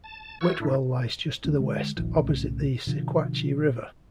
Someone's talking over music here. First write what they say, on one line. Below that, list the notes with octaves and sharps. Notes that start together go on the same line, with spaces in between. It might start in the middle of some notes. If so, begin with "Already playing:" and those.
Whitwell lies just to the west, opposite the Sequatchie River.
A5
E3 F#4 C#5 C#6 E6
A2 D4 E4
D2 C#4
D3 G#3
D#1 A#1 D#3 F3
B1 A2 C#3
B2 D3 F3